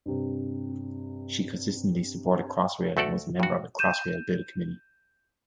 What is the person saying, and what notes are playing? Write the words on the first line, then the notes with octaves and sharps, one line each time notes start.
She consistently supported Crossrail and was a member of the Crossrail Bill Committee.
G2 C3
D2 A3 F#4 A4 D5
G2 F#4
G6 D#7 E7